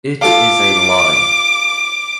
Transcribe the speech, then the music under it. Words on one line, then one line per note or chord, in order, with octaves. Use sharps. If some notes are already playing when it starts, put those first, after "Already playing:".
It is a lie.
F4 A4 F5 D6